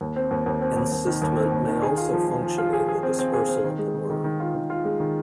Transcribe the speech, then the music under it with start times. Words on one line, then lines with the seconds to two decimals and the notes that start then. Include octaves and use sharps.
Encystment may also function in the dispersal of the worm.
0.01 D#2
0.16 C4
0.31 D#2
0.46 D#2
0.61 C4
0.76 D#2
0.92 D#2
1.07 D#3
1.22 D#2
1.37 C4
1.52 D#2
1.67 D#3
1.82 G#4
1.97 F4
2.13 F3
2.28 F3
2.43 F3
2.58 F4
2.73 G#4
2.88 G#4
3.03 C4
3.19 C4
3.33 G#4
3.49 C4
3.64 D#3
3.79 G#3
3.94 D#3
4.10 D#3
4.24 D#3
4.40 F4
4.55 D#3
4.70 F4
4.85 G#3
5.00 D#3